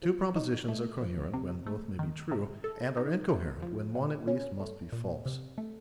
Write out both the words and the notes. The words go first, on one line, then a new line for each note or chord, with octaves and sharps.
Two propositions are coherent when both may be true, and are incoherent when one at least must be false.
F3
D#4
A3
F3
C3
A3
D#3
C3
A4
D#4
A3
F3
A#2
C#4
A3
A#2
C3
A3